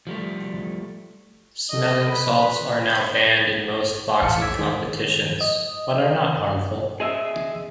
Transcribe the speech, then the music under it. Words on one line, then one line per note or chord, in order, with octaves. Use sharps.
Smelling salts are now banned in most boxing competitions, but are not harmful.
F3 G3 A3
A4 D#5
B4 B5
A#1 E2 A2 F5 A5 C#7
D6 E6 G#6 B6
D#3 G#3
D#5
G#4 D#5 E5